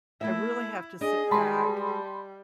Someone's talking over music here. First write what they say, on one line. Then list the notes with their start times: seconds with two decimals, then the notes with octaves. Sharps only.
I really have to sit back,
0.21 A3 A#3 E4 E5
1.01 D4 G#4 D#5
1.31 G3 G#3 F#4 B4 A5 B5 C6